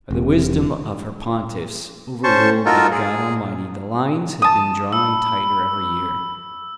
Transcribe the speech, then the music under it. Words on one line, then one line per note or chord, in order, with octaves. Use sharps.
By the wisdom of her pontiffs, over-ruled by God Almighty, the lines had been drawing tighter every year.
E1 C3
C#4 C5 A5 C#6
D#4 F4 F#4 A4 A#4
G#4
A5 D#6
B5 E6